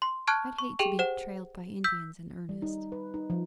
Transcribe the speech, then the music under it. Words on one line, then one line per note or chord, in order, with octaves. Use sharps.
I'd hate to be trailed by Indians in earnest.
C6
A5 C#6 F6 F#6 G#6 D7
C#6
G4 G#4 G5 F7 F#7
C5 F#5 E7
E6 G6 B6
G3
D#4
B4
D#4
F3